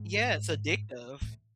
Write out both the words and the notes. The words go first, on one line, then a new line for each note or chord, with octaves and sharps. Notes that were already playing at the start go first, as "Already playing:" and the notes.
Yeah, it's addictive.
Already playing: G#2
A2